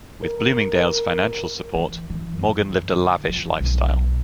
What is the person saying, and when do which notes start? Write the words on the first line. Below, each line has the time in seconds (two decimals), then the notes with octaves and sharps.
With Bloomingdale's financial support, Morgan lived a lavish lifestyle.
0.23 A#4
1.74 E3
2.10 E3
2.33 F#2
2.70 D3
3.28 F3
3.60 B1